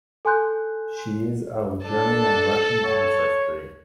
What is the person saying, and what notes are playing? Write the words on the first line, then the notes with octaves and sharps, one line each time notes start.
She is of German and Russian ancestry.
A4 G#5 C6 F#6 G6
D4 A4 A5
C#5